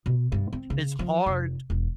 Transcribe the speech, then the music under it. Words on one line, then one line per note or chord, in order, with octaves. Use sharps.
it's hard
B2
G2
C4
C#3
F3
F1
E1